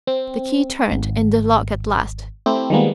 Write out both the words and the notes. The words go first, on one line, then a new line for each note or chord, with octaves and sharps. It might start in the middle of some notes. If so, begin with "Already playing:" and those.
The key turned in the lock at last.
C4
G#1
A3 C4 E4 G4
D#3 F3 G3 G#3 A#3 B3